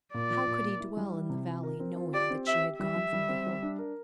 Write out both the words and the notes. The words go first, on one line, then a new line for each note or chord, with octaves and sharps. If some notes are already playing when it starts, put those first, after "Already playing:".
How could he dwell in the valley knowing that she had gone from the hill?
A#2 D5
F3
A#2
A#3
E4
G3
E4
C3
F4
A#4
C4
F4
G4 D5
C4
G4 E5
G4
G3 E5
G3
G3
C4
G3
D4
A#4